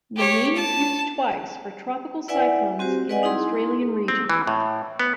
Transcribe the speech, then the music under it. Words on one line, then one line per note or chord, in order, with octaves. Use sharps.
The name was used twice for tropical cyclones in the Australian region.
G4 C#5
A5
E4 B4 D5 E5 F#5 G#5
C4 F#4 G4 C5
B4 D5 D#5 F#5 G#5
D#4 E4 G#4 C6
C4
E3
A2
B3